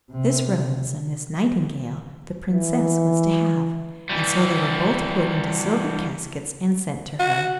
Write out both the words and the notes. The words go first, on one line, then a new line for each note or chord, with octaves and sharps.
This rose and this nightingale the Princess was to have, and so they were both put into silver caskets and sent to her.
C3
E3
E3 G3
F#4